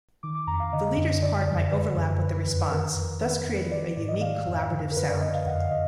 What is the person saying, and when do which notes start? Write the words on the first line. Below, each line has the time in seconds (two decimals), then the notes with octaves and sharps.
The leader's part might overlap with the response, thus creating a unique collaborative sound.
0.23 D#3 D6
0.35 D6
0.47 F2 A#5
0.60 F5
0.73 D3 D#5
0.97 F#2
1.22 D3 D5
1.47 F2
1.72 D3 B4
1.97 F#2
2.22 D3 B4
2.47 F2
2.71 D#3 A#4
2.96 F2
3.22 D#3 B4
3.47 F2
3.72 D#3 D5
3.96 G#2 D5
4.08 D#5
4.21 D#3 F5
4.46 F2
4.72 D3
4.92 A#4
4.96 F#2 B4
5.08 D5
5.21 D3 D#5
5.34 F5
5.46 F2 F#5
5.59 F5
5.71 D3 D#5